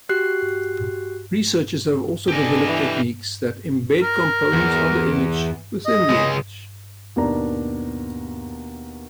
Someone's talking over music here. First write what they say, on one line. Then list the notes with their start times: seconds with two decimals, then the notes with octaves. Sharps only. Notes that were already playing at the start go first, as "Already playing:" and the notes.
Researchers have also developed techniques that embed components of the image within the image.
0.09 F#4 G4 F#6 C7
2.28 B3 D4 G4 A4 D#5 G#5
2.67 E3
4.02 A#4
4.53 E2
5.86 D#5
6.10 C#2 G#3
7.16 D#2 B2 D4 A#4 A#5